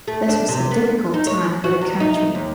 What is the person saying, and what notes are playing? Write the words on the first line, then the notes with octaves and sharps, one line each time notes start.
This was a difficult time for the country.
A3
D4
C3
B3
D#4
C#5
F#4
E2
D#4
D#2